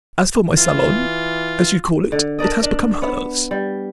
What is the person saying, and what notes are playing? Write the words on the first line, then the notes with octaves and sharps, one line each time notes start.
As for my salon, as you call it, it has become hers.
E3 F4
D3
D4 A#4 D5 D#5
D4
B3
G3